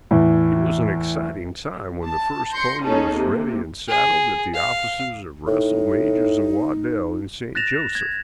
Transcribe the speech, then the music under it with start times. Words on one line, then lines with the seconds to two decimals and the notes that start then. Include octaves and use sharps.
It was an exciting time when the first pony was ready and saddled at the offices of Russell, Majors & Waddell, in St. Joseph.
0.11 E2 A2
2.05 A5
2.52 C6 G6 A#6 C#7
2.84 A#3 C#4 D#4 G#4 A4
3.13 C3 A#3
3.88 G#4
4.54 F5
5.48 A2 D#4
7.55 F#6 A6 A#6 E7 F7
7.95 G#6